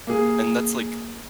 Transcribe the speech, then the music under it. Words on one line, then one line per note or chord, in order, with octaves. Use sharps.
and that's, like,
A#3 G#4